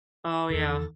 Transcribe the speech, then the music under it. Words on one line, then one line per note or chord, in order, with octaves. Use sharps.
Oh, yeah.
E2 D#3 A4